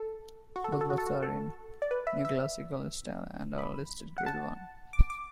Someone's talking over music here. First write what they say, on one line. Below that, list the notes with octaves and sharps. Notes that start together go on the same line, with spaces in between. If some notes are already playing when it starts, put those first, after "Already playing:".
Both blocks are in neoclassical style and are listed Grade One.
Already playing: A4
F#4
A4
F#4
A4
F#4
A4
F#4
A4
D5
B4
E5
E5
B5
F#5
A5
D6
D6